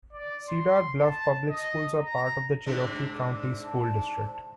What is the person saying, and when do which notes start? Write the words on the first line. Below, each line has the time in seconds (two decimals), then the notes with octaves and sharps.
Cedar Bluff Public Schools are part of the Cherokee County School District.
0.13 D5
0.48 C6
1.01 A5
1.50 D#5
2.01 A#5
2.66 G#2 C3 D4
3.64 A5